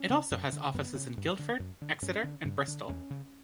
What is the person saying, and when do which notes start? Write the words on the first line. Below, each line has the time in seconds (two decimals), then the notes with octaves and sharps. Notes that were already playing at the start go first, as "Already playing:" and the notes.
It also has offices in Guildford, Exeter and Bristol.
Already playing: C#4
0.10 C#3
0.31 F#2
0.53 D3
0.74 F#2 B3
0.95 C#3
1.18 G2
1.39 D3
1.60 F#2
1.82 D3
2.02 G2 C#4
2.24 D3
2.45 G2
2.68 D3
2.89 E2 C#4
3.11 C#3